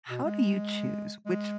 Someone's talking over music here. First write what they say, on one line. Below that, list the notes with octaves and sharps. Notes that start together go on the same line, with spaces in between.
how do you choose which
B2
G#3
G#3